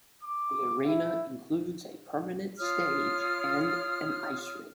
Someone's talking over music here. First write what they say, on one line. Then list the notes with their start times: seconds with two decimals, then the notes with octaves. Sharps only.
The arena includes a permanent stage, and a ice rink.
0.23 D6
0.85 E4
2.59 F4 C#5 D#6 F6